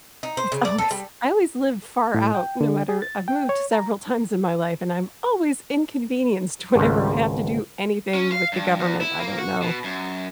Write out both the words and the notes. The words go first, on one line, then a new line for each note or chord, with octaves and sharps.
it's always I always live far out no matter I've moved several times in my life, and I'm always inconvenienced whenever I have to do anything with the government. I don't know.
D#4
C5
C#3
D5
A4
G3
A2
G5
D3
G#4
A6
G5
C#5
A#5
G#1 C#2
C#4
F5
G2
E2
E4
A#3
F#4
B2
F#2